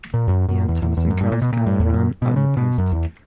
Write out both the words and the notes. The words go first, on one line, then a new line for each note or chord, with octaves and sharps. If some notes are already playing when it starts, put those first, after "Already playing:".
Ian Thomas and Karl Skala ran unopposed.
A#2
F#2
F#2
E2
E2
E2
F#2
G2
A#2
B2
A#2
G2
E2
F#2
B2
C#3
B2
F#2
E2